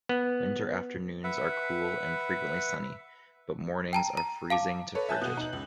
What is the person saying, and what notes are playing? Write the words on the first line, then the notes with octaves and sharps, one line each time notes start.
Winter afternoons are cool and frequently sunny, but mornings are freezing to frigid.
B3
B4 E5 F#5
G5 A5 A#5
A#5
F5 A5 D6
A4 B4 C#5
E5 G#5 A5 F#6 G6
B2 B3
D#4 F#7
C#2